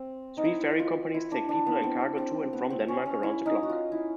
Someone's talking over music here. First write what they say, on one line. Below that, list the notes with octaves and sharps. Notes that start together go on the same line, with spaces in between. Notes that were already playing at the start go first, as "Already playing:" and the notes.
Three ferry companies take people and cargo to and from Denmark around the clock.
Already playing: C4
D#4
E4
F4
E4
D4
D4
B3
C4
C4
B3
C4
C#4
C#4
E4
D#4
F#4
F4
E4